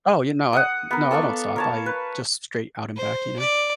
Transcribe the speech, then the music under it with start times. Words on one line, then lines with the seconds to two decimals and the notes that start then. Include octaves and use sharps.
Oh, yeah, no, I no, I don't stop, I just straight out and back, you know?
0.53 F#5 D#6
0.91 B3 A#4
1.11 A4 D5 F5 C#6
1.56 A#4 C#5 A5
1.86 B4
2.96 C5
3.39 D5